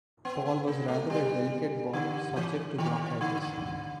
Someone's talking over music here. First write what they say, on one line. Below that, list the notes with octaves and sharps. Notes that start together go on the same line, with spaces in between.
Paul was rather a delicate boy, subject to bronchitis.
B3
B3
A#3
A3
G3
D3
E3
D#3
D3
D3